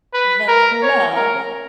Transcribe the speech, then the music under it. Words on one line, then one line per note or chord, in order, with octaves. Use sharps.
the club,
B4
A#4
C#5
A#4